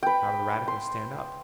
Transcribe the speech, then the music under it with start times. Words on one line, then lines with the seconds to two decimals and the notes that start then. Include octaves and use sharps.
"How do the radicals stand up?"
0.03 B4 G5
0.68 C6